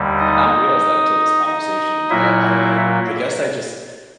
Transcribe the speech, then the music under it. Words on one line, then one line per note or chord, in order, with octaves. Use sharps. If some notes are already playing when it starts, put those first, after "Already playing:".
Did not realize that until this conversation, but I I guess I just
Already playing: D#2 D3 G3
D#4 D#5
D#4 D#5
A#2 F#3 A#3 E4 E5